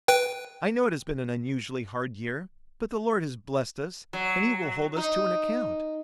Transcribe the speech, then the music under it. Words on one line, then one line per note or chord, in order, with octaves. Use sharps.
I know it has been an unusually hard year but the Lord has blessed us and He will hold us to an account.
B4 G5
F#3
D#4